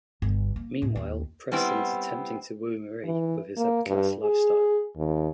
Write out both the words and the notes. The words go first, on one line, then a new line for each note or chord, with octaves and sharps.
Meanwhile, Preston is attempting to woo Marie with his upper-class lifestyle.
G1 B2
A#3
A2 A3
D#2 F4
G3 B3 C4 E4
E3
A#3
G2
G#4
D#2